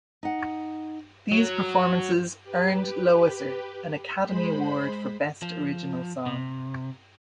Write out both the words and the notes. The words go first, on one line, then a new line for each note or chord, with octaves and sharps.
These performances earned Loesser an Academy Award for Best Original Song.
D#4 F#5
F#3
G4 B4
G#3 C5 B5
F3
C3